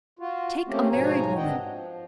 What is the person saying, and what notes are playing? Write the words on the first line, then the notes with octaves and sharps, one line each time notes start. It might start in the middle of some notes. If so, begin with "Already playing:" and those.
Take a married woman.
F4 F#4
A3 A#3 C4 C#4 G4
G#2 B2 F3 C#5 G#5 A#5
G2 C4 D4 D#5 F#5 G5
F3